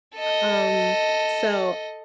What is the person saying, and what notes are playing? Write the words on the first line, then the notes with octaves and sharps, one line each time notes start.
Um, so,
A4 D#5